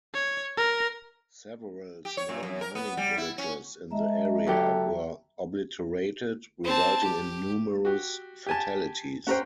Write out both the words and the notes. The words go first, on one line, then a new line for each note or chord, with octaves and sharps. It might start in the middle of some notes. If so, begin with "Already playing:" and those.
Several small mining villages in the area were obliterated, resulting in numerous fatalities.
C#5
A#4
G4
C#5
A#2
F#2
A#4
B3
G3
E4
C#4
G#3 E5 A5 A#5
F#3 G4 A4
C4 A5
G4
F#4 G4
G4 G#5 A5
C#4 A#4 C5 F#5 G5